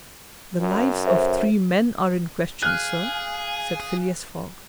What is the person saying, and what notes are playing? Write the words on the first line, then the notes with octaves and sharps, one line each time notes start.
"The lives of three men are in question, sir," said Phileas Fogg.
F#2
A4 C5 E5
G#4 F5 G#5 F6 F#6